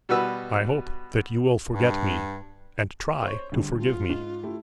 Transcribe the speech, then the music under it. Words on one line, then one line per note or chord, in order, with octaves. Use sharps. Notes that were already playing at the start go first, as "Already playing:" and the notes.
I hope that you will forget me, and try to forgive me.
B2 G3 F#4 B4 E6
G2
C5 C#5
D2 D3 G3
F4
G#2
A3 E4 G4